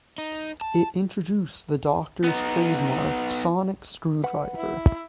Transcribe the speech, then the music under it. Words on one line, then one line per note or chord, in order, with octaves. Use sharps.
It introduced the Doctor's trademark sonic screwdriver.
D#4
A5
B3 D#4
B4 F#5
E4